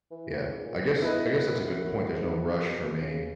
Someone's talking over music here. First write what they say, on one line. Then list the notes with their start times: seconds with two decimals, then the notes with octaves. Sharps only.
Yeah. I guess I guess that's a good point. There's no rush for me
0.11 E3
0.29 E3
0.47 C#3
0.57 G#2
0.65 A#2
0.84 G#2
1.02 F#2 B3 E4 B4 D#5
1.11 G#2
1.20 F#2
2.12 G#2
2.25 G#2
2.39 G#2
2.53 A#2
2.67 B2
2.84 B2
3.03 C#3